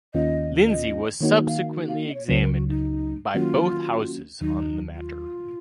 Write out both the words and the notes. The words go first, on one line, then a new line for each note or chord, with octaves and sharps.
Lindsay was subsequently examined by both Houses on the matter.
D#2 D#3 A#3 C#4 F4 D#5
D#5
D#3 A#3 D#4 F#4 C#5
F5
F5
D#5
C#5
C#2 C#3 F#3 C5
A#4
F#4
D#4
D#3 F#3 A#3 C#4 F4 F#4
D#2 D#3 F#3 D#4
F4